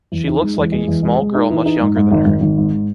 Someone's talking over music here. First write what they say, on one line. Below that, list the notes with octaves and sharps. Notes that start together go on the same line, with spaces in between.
She looks like a small girl much younger than her.
E2
D#4
G#3
E2
G#3
E2
G#3
G#3
D#4
E3
D#4
G#2
G#2
G#1
G#1
G#1
G#2